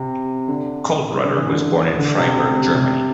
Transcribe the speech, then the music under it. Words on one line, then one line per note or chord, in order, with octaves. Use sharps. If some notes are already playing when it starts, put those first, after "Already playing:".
Koellreutter was born in Freiburg, Germany.
Already playing: C3
D3
D3
E3
D3
D3
C3
C3
C3